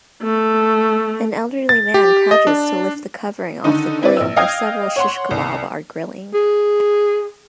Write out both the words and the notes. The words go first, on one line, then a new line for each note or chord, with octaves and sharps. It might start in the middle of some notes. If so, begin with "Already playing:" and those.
An Elderly man crouches to lift the covering off the grill wear several shish kabab are grilling.
A3
A6
G4
D#5
D4
D3 D#3 D#4
C4 E4 B4 D5
A#1 E6
D#5 F5 G5 D#6 G#6
C#5 F#5 C6
C2
G#4